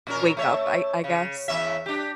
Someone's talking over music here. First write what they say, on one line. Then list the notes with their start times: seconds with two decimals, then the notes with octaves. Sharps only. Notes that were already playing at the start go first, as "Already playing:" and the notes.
wake up, I I guess,
0.07 A#2 C#4 A#4
0.37 A3 C#5 E5
1.04 C#3
1.48 E2 C#4 E5
1.86 D4 G4